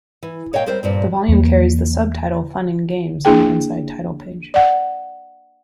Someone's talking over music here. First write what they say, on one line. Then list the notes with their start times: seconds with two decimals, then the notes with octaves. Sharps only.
The volume carries the subtitle "Fun and Games" on the inside title page.
0.23 E3
0.53 A#2 C#5 D#5 F5 G5
0.66 G3 C4 A#4 C5
0.83 G2 A#2 C4
1.28 E2 A#3
3.25 A#3 D4 E4 G#4 G5
4.54 D5 F#5